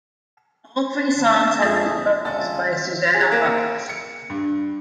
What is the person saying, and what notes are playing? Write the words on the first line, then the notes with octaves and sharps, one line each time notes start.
All three songs had lead vocals by Susanna Hoffs.
D3 A5
F2 G#3 G#4 E5
D2 G#3 C#4 F4 E5 G#5 A5 A6
G#4
A#3
C#7
G2